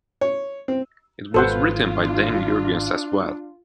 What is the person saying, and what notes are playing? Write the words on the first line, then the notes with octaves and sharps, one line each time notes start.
It was written by Dan Jurgens as well.
C#5
C4
G#1 G#3 F4 A4 B4 C5 F#5
D4